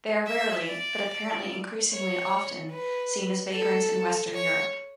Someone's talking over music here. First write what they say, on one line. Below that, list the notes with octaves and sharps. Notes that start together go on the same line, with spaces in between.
They are rarely-but apparently increasingly often-seen as vagrants in western Europe.
E5
D5
C#5
B4
A4
C#5